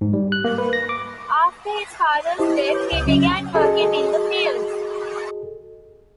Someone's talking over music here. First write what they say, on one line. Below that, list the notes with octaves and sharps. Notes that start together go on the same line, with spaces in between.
After his father's death he began working in the fields.
G#2
G3
F#6
A#3
B4
A#6
D6
E4 G4 C5 D#5 A5
B4 C#5 D6 G6
C#2 G6
C#3 F#3 C#4
F#4 G#4 A4 D#5